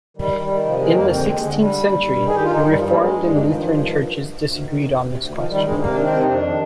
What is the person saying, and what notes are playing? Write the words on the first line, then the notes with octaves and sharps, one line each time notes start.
In the sixteenth century, the Reformed and Lutheran churches disagreed on this question.
D#3 G3
D#3
G3
D#3
C3 F3
D#3 G#3
F2 A#3
D3 C4
D#2
G#3
D3
D3 G3
D#2
D#2
G2
D#3
G#4
D#3 G4
F4
D#3 D#4
G2 G3
F3
G2 G3
A#3
G2 G#3
G2
D#3
D#3 F3
G2
D#3
D2
D2
D2
D2
D#3
D2
D2
C3
D2
D#3 F3
D#3 G3
D2 G#3
C3 A#3
D#3 D4
C4
C3
D#4
F2 D4
D#3